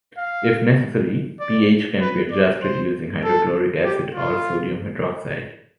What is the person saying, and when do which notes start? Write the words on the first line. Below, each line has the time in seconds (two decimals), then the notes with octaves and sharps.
If necessary, pH can be adjusted using hydrochloric acid or sodium hydroxide.
0.18 F5
1.40 D5
2.01 B4
2.31 D5
2.62 C5
3.24 A4
3.84 G4
4.15 F4